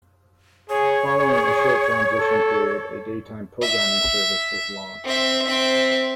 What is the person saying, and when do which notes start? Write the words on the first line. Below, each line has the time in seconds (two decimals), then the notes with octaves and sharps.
Following a short transition period, a daytime programming service was launched.
0.70 G#4 C#5
1.16 G#4
2.19 A4
3.62 E5
5.04 C4 E5
5.47 C4 E5